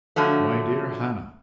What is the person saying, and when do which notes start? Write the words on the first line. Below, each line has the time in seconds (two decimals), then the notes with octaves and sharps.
"My dear Hannah!"
0.16 D3 F3 F#3 A3